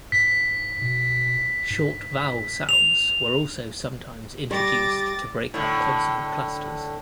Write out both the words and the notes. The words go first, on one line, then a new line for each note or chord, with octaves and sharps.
Short vowel sounds were also sometimes introduced to break up consonant clusters.
G#2 B6
B2
G#2
F7
G3 D6 A6 A#6
A2 D3